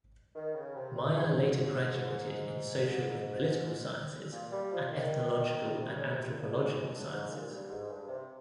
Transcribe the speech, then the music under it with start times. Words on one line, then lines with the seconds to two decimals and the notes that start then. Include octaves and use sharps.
Maia later graduated in Social and Political Sciences and Ethnological and Anthropological Sciences.
0.36 D#3
0.55 C#3
0.75 C3
0.94 G2
1.15 G#2
4.32 A#2
4.51 G3
4.72 F3
4.91 D#3
5.80 C3
5.90 C#3
6.11 C3
6.30 A#2
6.41 G2
6.50 G#2
6.70 G#2
6.90 G2
7.10 G#2
7.30 A#2
7.49 G2
7.69 G#2
7.89 G2
8.08 C3